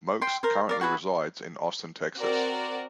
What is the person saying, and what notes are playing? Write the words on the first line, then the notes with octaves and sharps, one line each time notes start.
Moakes currently resides in Austin, Texas.
G5 C6
A#4 C5
A#4 D5 F5
F#4 G#4 B4 E5
C4 F#4 A#4 D5